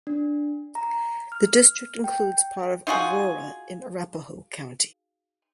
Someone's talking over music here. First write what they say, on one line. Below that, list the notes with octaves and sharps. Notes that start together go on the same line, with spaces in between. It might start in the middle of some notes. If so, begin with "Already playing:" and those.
The district includes part of Aurora in Arapahoe County.
D4
A#5
F6
G5
D#4 F4 F#4 G#4